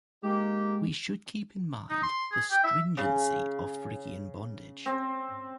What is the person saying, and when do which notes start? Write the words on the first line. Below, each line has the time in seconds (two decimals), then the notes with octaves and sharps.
We should keep in mind the stringency of Phrygian bondage.
0.22 G#3 A#3 D#4 G4
1.90 D#4
2.03 C6
2.32 G#4
2.51 G5
2.64 E5
2.97 C#3
4.86 C4